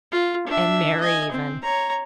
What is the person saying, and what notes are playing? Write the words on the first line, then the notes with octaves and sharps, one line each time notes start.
And Mary even.
F4
D4 E5
D#5 G#5
C4
C#5 A#5